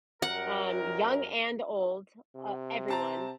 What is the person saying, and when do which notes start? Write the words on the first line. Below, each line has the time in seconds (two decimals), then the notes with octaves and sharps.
um, young and old, uh, everyone,
0.22 F#2 G3 A#4 F#5
2.36 C3
2.88 C4 A5 A#5